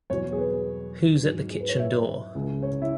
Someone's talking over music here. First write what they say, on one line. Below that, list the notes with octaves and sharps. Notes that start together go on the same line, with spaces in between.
Who's at the kitchen door?
E2 B2 F#3 C#5
G#4
B4
G#2 F#3
G#4
B4
C#5
E5
C#2 C#3 G#3
C#5
E4